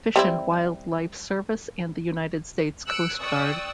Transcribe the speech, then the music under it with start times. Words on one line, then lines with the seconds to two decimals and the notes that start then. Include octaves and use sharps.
Fish and Wildlife Service and the United States Coast Guard.
0.16 G3 C4 E4
2.87 E6 F#6 C#7 D7
3.20 D5 G5 C#6 D#6 E6 F#6